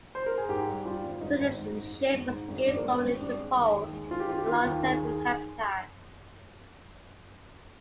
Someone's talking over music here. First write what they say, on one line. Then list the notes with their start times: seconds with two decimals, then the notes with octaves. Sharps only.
Citizenship was give only to Poles and long-term inhabitants.
0.15 C5
0.26 A#4
0.38 G#4
0.49 G#2 G4
0.67 G3
0.85 G3 F4
1.03 G#1
1.21 G#1 D#4
1.40 G#1
1.57 G#2
1.76 G#2
1.94 G#2
2.12 G#1
2.30 G#2
2.48 G#1
2.66 G#1 D4
2.77 A#3
2.84 G#1 C4
3.02 G#1 C4
3.20 G3 D4
3.39 G#3
3.57 D#2
3.74 D#2
3.93 G#3
4.10 D#3 F4
4.20 G4
4.29 D#3 F4
4.38 G4
4.46 D#3 F4
4.65 D#2
4.83 D#3 G#4
5.01 D#2
5.07 G#4